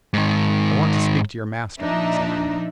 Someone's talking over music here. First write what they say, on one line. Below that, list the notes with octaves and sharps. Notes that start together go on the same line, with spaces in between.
'I want to speak to your master,' said he.
G#2 D#3
A#2 F3 D4 D#4 E5